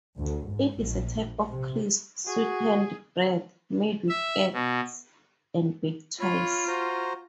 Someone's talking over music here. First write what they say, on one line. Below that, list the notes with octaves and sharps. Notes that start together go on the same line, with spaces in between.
It is a type of crisp, sweetened bread, made with eggs and baked twice.
D2
G#2
A#1
C3
F#4 G#4
E5
B2
F4 C#5 B5
F#4 C5 A#5